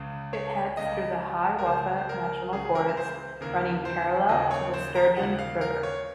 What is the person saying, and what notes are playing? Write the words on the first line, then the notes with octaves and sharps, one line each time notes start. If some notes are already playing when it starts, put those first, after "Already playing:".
It heads through the Hiawatha National Forest, running parallel to the Sturgeon River.
Already playing: C#2 C#3
C#5
C#2 C#3 D#5
A#4
C#2 C#3 C5
C5
A#4
C#2 C#3 G#4
A#4
A#4
C5
D#2 C#3 A#4
C5
D#2 C#3 D#5
C#5
C5
A#5
D#2 C#3 F#5
F5
A#4
C#5